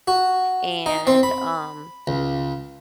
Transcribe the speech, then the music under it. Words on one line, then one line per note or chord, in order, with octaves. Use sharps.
and, um,
F#4
D#4
C4
B5
C#2